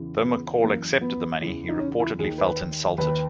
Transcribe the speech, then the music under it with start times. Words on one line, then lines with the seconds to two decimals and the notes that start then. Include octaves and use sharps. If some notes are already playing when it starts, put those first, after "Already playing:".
Though McCall accepted the money, he reportedly felt insulted.
Already playing: E2 C#3 E3
0.23 B3
0.62 F#2 E3 A#3
1.01 B3
1.41 E2 C#3 E3
1.69 D#4
1.80 C#4
2.00 E4
2.19 D#2 G#4
2.23 D#3
2.38 B4
2.98 D#2 D#3 B4